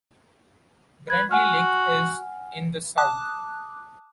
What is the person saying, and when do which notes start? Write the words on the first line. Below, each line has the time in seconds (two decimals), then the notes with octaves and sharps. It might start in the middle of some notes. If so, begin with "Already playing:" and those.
Bradley Lake is in the south.
1.10 B4 G#6
1.31 F#4 F#5 G#5 F6
2.98 A5 D6 D#6 F#6